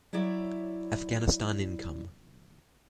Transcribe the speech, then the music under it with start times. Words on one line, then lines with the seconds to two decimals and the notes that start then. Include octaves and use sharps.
Afghanistan income.
0.13 F#3 E4 C#5 D5 E5